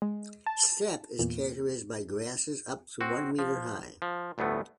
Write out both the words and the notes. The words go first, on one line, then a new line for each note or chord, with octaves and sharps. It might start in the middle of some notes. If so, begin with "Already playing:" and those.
Steppe is characterized by grasses up to one meter high.
G#3
A5
E2 A#2
C4 F#4
F3
F3
G1 D2 A2 A3 B3